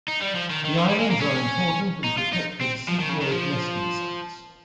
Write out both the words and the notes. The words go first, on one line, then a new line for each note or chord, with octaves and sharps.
The islands are important and protected seabird nesting sites.
D#4
G3
F3
D#3
D#3
F3
G3
G#3
A#3
C#4
D#4
F4
D#4
C4
F3
D#3
C#3
D#3
F3